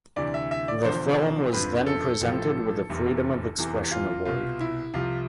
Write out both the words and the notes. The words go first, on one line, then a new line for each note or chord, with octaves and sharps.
The film was then presented with the Freedom of Expression Award.
D2 C3 E3 D5
E5
E5
D5
E1 E2 D3 F3 C5
G1 F2 D3 F3 B4
A4
A1 A2 F3
F1 E2 C3
F1 E2 C3 E3
F4
C2 B2 F4
E4
C2 C3 F3 F4